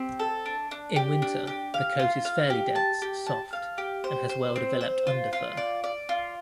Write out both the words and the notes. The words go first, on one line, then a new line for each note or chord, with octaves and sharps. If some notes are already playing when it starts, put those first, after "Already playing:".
In winter, the coat is fairly dense, soft, and has well-developed underfur.
Already playing: C4 G4
A4
D4
D4
G4
D4
G4
F5
F4
F5
G4
A5
G4
A5
F5
G4
C5
C5
C4
C5
F4
F4
D5
D5
F4